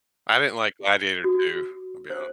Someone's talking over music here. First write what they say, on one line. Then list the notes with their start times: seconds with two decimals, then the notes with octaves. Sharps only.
I didn't like Gladiator II, I'll be honest.
1.24 F#4
2.10 C5